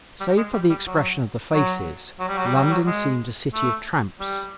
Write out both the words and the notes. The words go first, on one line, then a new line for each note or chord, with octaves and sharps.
Save for the expression of the faces, London seemed a city of tramps.
G3
G#3
G3
G3
F#3
F#3
F#3
G3
F#3
G3
F#3
G3
F#3
G#3
A3
G3